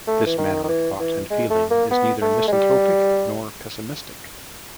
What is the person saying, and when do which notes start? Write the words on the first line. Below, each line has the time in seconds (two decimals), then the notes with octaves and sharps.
This manner of thought and feeling is neither misanthropic nor pessimist.
0.08 A3
0.26 E3
0.38 D#3
0.63 D#3
0.69 E3
1.00 E3
1.30 G#3
1.50 A3
1.71 A#3
1.91 B3
2.22 A3
2.47 G#3
2.53 G3